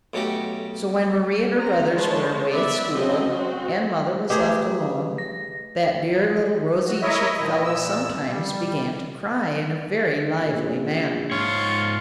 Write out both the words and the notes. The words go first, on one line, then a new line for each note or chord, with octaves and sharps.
So when Mari and her brothers were away at school, and mother was left alone, that dear little rosy-cheeked fellow sometimes began to cry in a very lively manner.
B1 C#3 A3 F#4 G4
A#3 C4 G#4 A#5
G#3 B4 C#5 A5
B3 D5 E5
F#3 C4 C#4 A4 D#5
C4 F#4
A3 G4 G#4 B4 D#5
A#6
F#4
E4 A#4 C#5 D#5 E5
A#2 D#3 F3 E4 D#5
A#2 E6
G3
A#1
G#2 F4 C#5